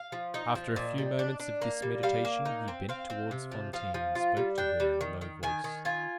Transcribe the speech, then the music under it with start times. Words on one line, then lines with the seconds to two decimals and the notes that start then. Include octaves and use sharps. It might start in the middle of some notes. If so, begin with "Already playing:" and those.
After a few moments of this meditation he bent towards Fantine, and spoke to her in a low voice.
Already playing: F5
0.12 F3
0.34 D#4 D#5
0.55 F3
0.76 A#2
0.98 G3
1.19 D4
1.40 D4
1.61 A#3
1.82 G3
2.03 G3 F5
2.25 A#3
2.45 D#4
2.68 C4
2.89 C4 F5
3.10 C4
3.31 C3
3.52 F3
3.73 F3 F5
3.94 F3
4.15 F4
4.37 G3
4.58 D4 G5
4.80 G3
5.01 D#3
5.21 D#3
5.43 D#3 G#5
5.64 D#3
5.85 F4 G#5